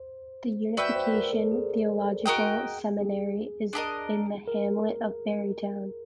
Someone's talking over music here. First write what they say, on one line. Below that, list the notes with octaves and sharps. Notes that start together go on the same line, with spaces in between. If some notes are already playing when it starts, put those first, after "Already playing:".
The Unification Theological Seminary is in the hamlet of Barrytown.
Already playing: C5
F#4 B4 D5 E5 G5
C5
A#4
A4
G#4
F#4 A#4 D#5 G5
G#4
D4 G4 A#4 D#5
A#4